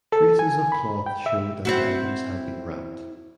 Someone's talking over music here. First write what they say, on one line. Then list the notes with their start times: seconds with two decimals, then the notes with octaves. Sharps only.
Traces of cloth showed that the items had been wrapped.
0.12 A4
0.39 G#5
0.72 B5
1.06 G5
1.26 E5
1.65 C4 E4 F#4